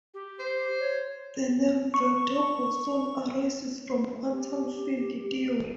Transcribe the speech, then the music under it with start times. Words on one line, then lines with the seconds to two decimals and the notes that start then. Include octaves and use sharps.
The name "vector boson" arises from quantum field theory.
0.14 G4
0.39 C5
0.80 C#5
1.94 C#6
4.32 G4